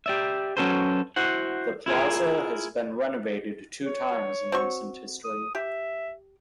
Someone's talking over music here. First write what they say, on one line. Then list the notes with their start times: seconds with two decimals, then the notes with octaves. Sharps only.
The plaza has been renovated two times in recent history.
0.06 G4 D5 E5
0.57 F#3 C#4 F#4 A4 B4 C5
1.16 E4 F#4 C5 F#5
1.86 E4 F4 G#4 A#4
3.86 C#5
4.52 C4 F#4 C#6
5.24 D#6
5.55 G4 E5